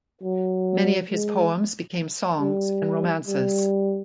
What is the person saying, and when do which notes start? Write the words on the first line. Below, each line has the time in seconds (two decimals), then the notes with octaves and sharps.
Many of his poems became songs and romances.
0.23 F#3
1.11 G#3
2.40 G3
3.27 G3